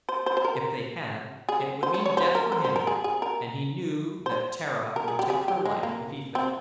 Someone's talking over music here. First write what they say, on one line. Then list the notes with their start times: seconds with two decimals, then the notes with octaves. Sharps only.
If they had it would mean death for him, and he knew that Tara would take her life if he fell.
0.09 C5
0.26 C5
0.37 C5
0.45 A#4
1.49 G#4
1.83 C5
1.94 C#5
2.06 C#5
2.17 C5
2.35 A#4
2.52 C5
2.64 C5
2.76 A#4
2.87 G#4
3.04 G#4
3.22 A#4
4.26 C5
4.96 A#4
5.08 G#4
5.19 G4
5.30 G#4
5.48 G4
5.65 G#3
5.83 A#3
6.35 C4